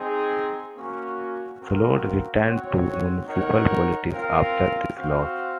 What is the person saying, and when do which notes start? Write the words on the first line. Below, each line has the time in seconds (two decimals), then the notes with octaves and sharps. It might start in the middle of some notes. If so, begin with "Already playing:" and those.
Sloat returned to municipal politics after this loss.
Already playing: C4 D#4 G#4
0.75 A#3 C#4 F#4
1.59 C4 F#4 A#4 F5
2.43 C4 F#4 C#5 F#5
3.27 D#4 A#4 C#5 F#5
4.12 C4 F4 A#4 F5
4.96 C4 F#4 C5 F5